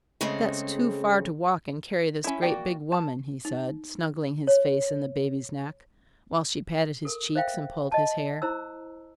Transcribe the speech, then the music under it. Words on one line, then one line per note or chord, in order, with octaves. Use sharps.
"That's too far to walk and carry this great big woman," he said, snuggling his face in the baby's neck, while she patted his cheeks and pulled his hair.
C#3 G#3 A3 C4
C#4 E4
A#3 F4 F#4 D5 G5
A5
D#4
C#5
A4 A#4
C5 E5 F5 G5
D#5 A5
E4 C5 A#5 E6